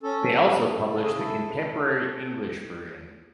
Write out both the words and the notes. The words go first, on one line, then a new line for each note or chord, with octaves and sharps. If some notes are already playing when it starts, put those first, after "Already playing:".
They also publish the Contemporary English Version.
C#4 A4
C#4
E4
C#3 A4
G#4
E4 A4
E4
C#4